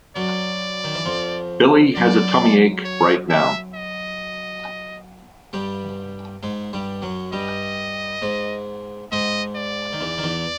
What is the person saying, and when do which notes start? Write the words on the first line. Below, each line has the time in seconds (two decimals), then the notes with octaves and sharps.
Billy has a tummy ache right now.
0.16 F#2 F#3 D5
0.84 D#3
0.95 E3
1.05 F2 F3
1.95 F#2 F#3 D5
2.84 C#5
3.29 E5
3.74 D#5
5.53 G2 G3
6.43 G#2 G#3
6.73 G2 G3
7.02 F#2 F#3
7.32 G2 G3 D#5
8.22 G#2 G#3
9.12 G#2 G#3 D#5
9.56 D5
9.93 D#3
10.00 E2 E3
10.18 D#3
10.23 E2 E3